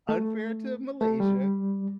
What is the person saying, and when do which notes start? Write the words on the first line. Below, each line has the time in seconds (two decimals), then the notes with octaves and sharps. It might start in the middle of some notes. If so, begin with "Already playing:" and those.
unfair to Malaysia,
0.09 A3
1.01 A3
1.20 G3